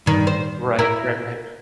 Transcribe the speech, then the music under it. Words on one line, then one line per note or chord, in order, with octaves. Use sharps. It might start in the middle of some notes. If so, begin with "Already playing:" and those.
Right. Right. Right.
G2 D#3
C5
E4 A#4